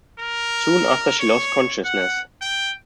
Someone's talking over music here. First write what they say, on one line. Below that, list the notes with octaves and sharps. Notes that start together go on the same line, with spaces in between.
Soon after she lost consciousness.
A#4
C#5
F#5
G5